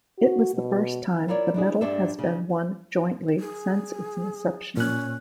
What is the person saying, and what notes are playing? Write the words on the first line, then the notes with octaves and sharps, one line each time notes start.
It was the first time the medal has been won jointly since its inception.
F#4
B2
E4 F4 A#4 C#5 D5
D4 E4 G#4
G2 D4 E5
C#3
G#4
A#2 C#4 F#6